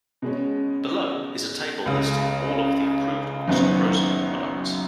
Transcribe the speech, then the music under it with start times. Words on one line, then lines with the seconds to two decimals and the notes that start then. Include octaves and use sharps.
Below is a table listing all of the approved oxaprozin products.
0.22 B2 G#3 C#4
1.86 C#2 C#3 G#3
3.48 F#1 F#2 D#3 B3